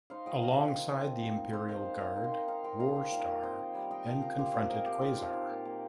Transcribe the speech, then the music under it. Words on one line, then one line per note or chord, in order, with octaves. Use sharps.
Alongside the Imperial Guard, Warstar then confronted Quasar.
D#4 C5 F5
F3 D#5 G5
A#3 F5 A#5
D#4
D#3
C4
F3
D#4
D#4
D#4 C5 F5
D#3 C5 F5
A#3
A#3 F5 A#5
D#4
G5 C6
D#3
D#4 F5 A#5
D#3 G5 C6
G3 F5 A#5
D#4 G4
A#2 F5
A#4 D#5
A#3
C4 C5 F5
D#3
G3
D#4 D#5 G5
F3 F5 A#5
C4 F5 A#5
A#3 G4 C5
A#2 G4 C5
F3 A#4 D#5
A#3 G4
D#4 F4 A#4
F3 F4
D#4 F4
A#2
A#3